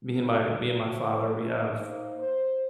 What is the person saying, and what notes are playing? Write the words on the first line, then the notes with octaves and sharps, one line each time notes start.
me and my me and my father, we have
F#3 D#4 D5
G3 A#3
B2 D#3 F3 E4 C5 C#5
B2 D3 D#3 G#3 C#4 A#4
A#3 D#4 C5
C5